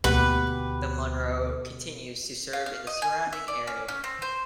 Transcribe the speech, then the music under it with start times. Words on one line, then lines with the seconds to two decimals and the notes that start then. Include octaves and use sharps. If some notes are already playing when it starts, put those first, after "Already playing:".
The "Munro" continues to serve in the surrounding area.
0.04 D2 B2 A#3 G4 B4 F#5
2.53 F5
2.66 F5
2.87 D#5
3.02 G#5
3.33 E5
3.48 D5
3.67 C#4
3.88 C#4
4.04 C4
4.22 C5